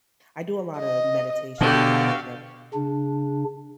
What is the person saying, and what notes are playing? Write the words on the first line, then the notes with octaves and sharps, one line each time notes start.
I do a lot of meditation and yoga, but
D#5
B2 D3 D4 F#4 G4 A4 F5
C#3 D4